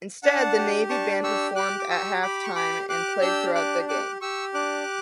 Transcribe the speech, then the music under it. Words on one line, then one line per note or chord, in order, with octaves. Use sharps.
Instead, the Navy band performed at halftime and played throughout the game.
D4 F#5 A5
G4
D4 A5 C#6
G4 C#6 E6
G4 D6 F#6
D6
G4 C#6 E6
G4 B5 D6
C#6
G4 B5 D6
G4 D6 F#6
D4 E6 G6
G4 D6 F#6
G4 D6 F#6
G4 C#6 E6
D4 D6 F#6